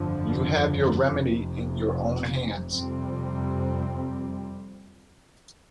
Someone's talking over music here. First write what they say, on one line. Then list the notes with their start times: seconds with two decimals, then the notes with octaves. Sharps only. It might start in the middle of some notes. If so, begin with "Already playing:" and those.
You have your remedy in your own hands.
Already playing: G1 F2 D3 F3
1.10 F1 F2 C3
2.77 F2 C3 G3 C4